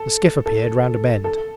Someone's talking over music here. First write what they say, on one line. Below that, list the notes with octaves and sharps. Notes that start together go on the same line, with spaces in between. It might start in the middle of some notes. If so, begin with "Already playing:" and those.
The skiff appeared round a bend.
Already playing: A4
A4
A4